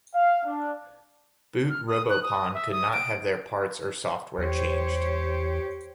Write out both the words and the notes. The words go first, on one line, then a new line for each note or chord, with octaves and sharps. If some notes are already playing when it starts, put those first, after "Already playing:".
Boot Robopon could not have their parts or software changed.
F5
D4
F6
D#6
F#6
D#6
E5
D#6
D7
E2 G4 C5 C#5